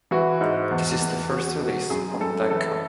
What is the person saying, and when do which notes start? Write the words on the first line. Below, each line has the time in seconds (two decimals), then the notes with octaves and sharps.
This is the first release on Decca.
0.11 E3 F#4
0.41 G#2
0.71 E2
1.01 E2
1.31 E2 F#4
1.61 B2
1.90 F#2 G#4
2.21 F#2 A4
2.50 E3 A4